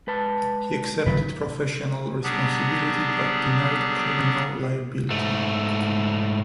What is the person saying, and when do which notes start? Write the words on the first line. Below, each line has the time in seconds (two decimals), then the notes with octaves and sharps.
He accepted professional responsibility but denied criminal liability.
0.07 G#3 B4 A5
1.06 F#1 G2 D#3 B4
2.24 F#3 G3 B3 D4 G4 G#4
5.11 G#2 A3